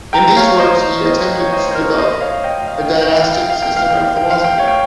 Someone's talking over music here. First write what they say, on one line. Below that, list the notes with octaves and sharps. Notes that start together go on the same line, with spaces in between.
In these works he attempted to develop a Deistic system of philosophy.
G5 A#5
C#5 F5
C5 D#5
C5 D#5
C#5
C5 D#5
C5
A#4 C#5
C5 D#5
C#5 F5
D#5 G5
F5
G5
F5
G5
F5
G5
F5
G5
F5
G5
F5
G5
F5
G5
C#5 F5
G5